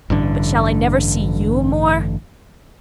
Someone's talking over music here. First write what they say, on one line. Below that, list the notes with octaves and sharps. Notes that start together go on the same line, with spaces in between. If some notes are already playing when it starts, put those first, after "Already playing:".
But shall I never see YOU more?
A1 G2 D3